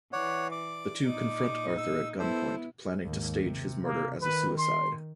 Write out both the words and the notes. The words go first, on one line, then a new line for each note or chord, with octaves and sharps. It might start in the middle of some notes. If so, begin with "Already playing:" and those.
The two confront Arthur at gunpoint, planning to stage his murder as a suicide.
E3 C#5 D5 F#5
D5 D6
A#2 D#4
E6
B3 E4 A4 C5
D#2 G#2
C3
A#3
D#3 B4
C6